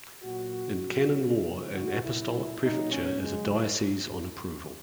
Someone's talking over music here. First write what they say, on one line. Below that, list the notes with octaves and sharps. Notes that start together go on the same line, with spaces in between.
In canon law an apostolic prefecture is a diocese on approval.
A#2 F#3 F#4
B2 F#3
C#3 E3
F#4
A#2 F#3 E4
A#2 F#3 D#4
C#4
C#3 F#3 G#3